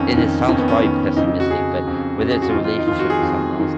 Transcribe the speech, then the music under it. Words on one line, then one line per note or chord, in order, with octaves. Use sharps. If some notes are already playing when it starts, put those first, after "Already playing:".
and it sounds probably pessimistic, but, whether it's a relationship or something else,
Already playing: F2 D#3 C#4
F2 D#3
F2 D#3 C#4
B3
C#4
F2 D#3
F2 C#3 D#4
D#4
F#4
F2 C#3 G#4
F2 C#3
F2 C#3 F#4
G#4
F#4
F4
F2 D#3 D#4
F4
D#4
F2 D#3 F4
F#4
G#4
F2 D#3
D#3